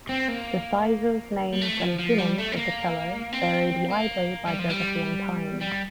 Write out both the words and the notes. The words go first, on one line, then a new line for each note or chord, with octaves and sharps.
The sizes, names, and tunings of the cello varied widely by geography and time.
C4
A#3
G3
A3
F3
F3
G3
A3
C4
A#3
C4
A#3
G3
F3
G3
G3